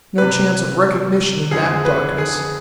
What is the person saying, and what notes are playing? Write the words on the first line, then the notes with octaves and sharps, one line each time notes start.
No chance of recognition in that darkness.
C3 G3 B4
F2 D3 G#3 G#4
B4
G#4